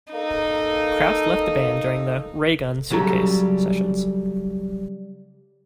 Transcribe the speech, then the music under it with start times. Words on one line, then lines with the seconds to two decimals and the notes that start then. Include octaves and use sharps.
Krauss left the band during the "Ray Gun Suitcase" sessions.
0.13 A#3 D#4 A4
2.90 C#3 F#3 G3 A4 A#5